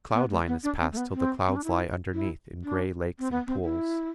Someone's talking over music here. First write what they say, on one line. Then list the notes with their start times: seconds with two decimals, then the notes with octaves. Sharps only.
Cloud-line is passed till the clouds lie underneath in grey lakes and pools.
0.14 B3
0.31 A3
0.47 B3
0.63 D4
0.81 C4
0.93 A3
0.97 B3
1.14 C4
1.48 C4
1.56 D4
1.64 E4
2.14 E4
2.64 D4
3.19 C4
3.31 B3
3.47 C4
3.64 E4